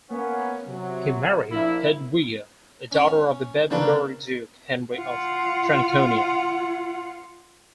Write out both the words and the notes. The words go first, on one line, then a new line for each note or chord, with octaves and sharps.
He married Hedwiga, a daughter of the Babenberg duke Henry of Franconia.
A#3 B3 C#4
C3 F#3
A#1 A#3 E4
C#4 C#5
C#3 A#3 C4 D4 A#4 B4
F4 F#5